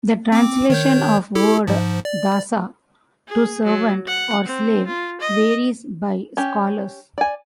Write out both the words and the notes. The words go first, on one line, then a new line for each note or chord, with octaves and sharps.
The translation of word "dasa" to servant or slave varies by scholars.
C4 D6
D#3 C#5 G6
E4 G4 A4
G#2 F3
D5
G#4
F#3
F#5
C4
F4
D#5
C#4 G4
D5 G#5